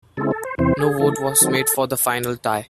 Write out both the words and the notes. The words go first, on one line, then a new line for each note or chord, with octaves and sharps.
No vote was made for the final tie.
C#3 G#3 C4 E4 A4
A4
C5
E2 C3 E3 C4 C5
G#4
C#3 E3 A3 A4
D#3 F#3 C4